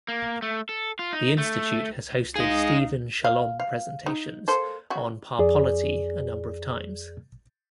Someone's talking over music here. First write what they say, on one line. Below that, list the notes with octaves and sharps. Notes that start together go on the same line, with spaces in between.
The institute has hosted Stephen Shalom presentations on parpolity a number of times.
A#3
A3
A4
F4
D#4
A3
D#4 G#4 D#5 F5
F5
F5
D#4
A#3 A4 C5
C#3 F#4
F2 G#4 D5